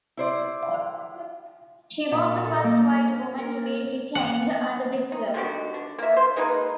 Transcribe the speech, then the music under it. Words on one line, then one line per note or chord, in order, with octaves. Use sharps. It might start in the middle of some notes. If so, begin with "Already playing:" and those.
She was the first white woman to be detained under this law.
E4 C5 D5
A#2
A4
A#3
A#4
F#5
D#4
D3 D#3 F#4 G4
D4
A#3 E5
C5
G#3 A#3 D#4 B4